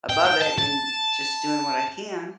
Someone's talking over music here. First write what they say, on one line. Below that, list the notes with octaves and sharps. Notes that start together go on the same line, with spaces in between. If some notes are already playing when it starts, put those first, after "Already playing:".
above it and just doing what I can,
G5
G5
A5
A5